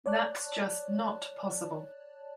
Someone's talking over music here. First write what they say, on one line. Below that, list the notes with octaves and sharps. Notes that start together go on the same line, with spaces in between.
That's just not possible.
C#5 D5 A5 F#6